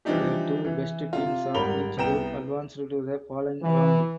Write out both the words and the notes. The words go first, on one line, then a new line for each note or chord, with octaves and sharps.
The two best teams of each group advanced to the following round.
E3 F3 G3 D4 D#4 G4
E3
C3 F4
G#1 G3 A#4 B5 F7 G7
C2 B3 G5 A#5 E7
E3